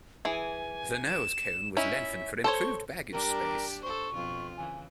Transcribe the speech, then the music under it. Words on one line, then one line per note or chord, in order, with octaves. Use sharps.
The nose cone was lengthened for improved baggage space.
E3 G#4 G#5
E7
C#4 D#4 E4 E5
A4 C5 C#5 C#6
G3 D4 G4 A#4
A4 C5 C#6
F2 B2 F4
C#3 E3 G#5